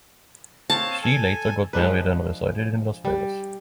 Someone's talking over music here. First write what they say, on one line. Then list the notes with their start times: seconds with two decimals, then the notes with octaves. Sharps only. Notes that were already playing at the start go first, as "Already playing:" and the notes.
She later got married and resided in Las Vegas.
0.70 C4 C#5 F5 A5
1.03 A4 G#5
1.73 F3 G#3 D4 B4
3.05 G3